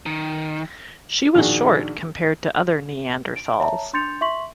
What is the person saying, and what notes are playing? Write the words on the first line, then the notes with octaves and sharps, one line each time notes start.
She was short compared to other Neanderthals.
D#3
A#1 D#3 D4 F#4 G#4
D7
C#5 E5 A5 A#5
D4 C6 G6 A6 C#7 F7
E5 C6 C#6 B6 F#7